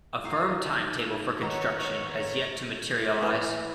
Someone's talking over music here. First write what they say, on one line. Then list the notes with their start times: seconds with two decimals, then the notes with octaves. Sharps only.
A firm timetable for construction has yet to materialize.
0.24 D#4 F5
1.41 D#3 B3 C#5 A#5
3.22 E3